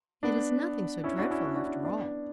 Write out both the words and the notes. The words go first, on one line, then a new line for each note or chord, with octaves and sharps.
'It is nothing so dreadful after all!
B3 D4
C#4 E4
D4 F#4
C#4 E4
D4 F#4
D4 F#4
C#4 E4
B3 D4